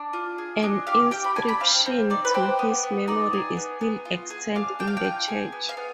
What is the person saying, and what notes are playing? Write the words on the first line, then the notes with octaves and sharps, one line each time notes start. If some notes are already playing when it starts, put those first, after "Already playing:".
An inscription to his memory is still extant in the church.
Already playing: D4
F4
G#4
D4 D#5
G4 F5
G4 G5
B5
D4 G#5
B5
C4 F5
C4
D#4 D5
B4
G4 C5
B3
B3
D#4 D5
G#4
B3
B3
F4
G#4
D4 F5
D4 G5
F5
G5
F4
G#4
B3
F5
B3